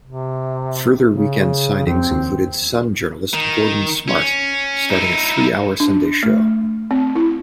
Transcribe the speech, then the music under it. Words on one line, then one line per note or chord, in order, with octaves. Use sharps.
Further weekend signings included "Sun" journalist Gordon Smart starting a three-hour Sunday show.
C3
C#3
F2 C4
D#2
D#3
C#4
D#4 E4
D4
A3
C4
E4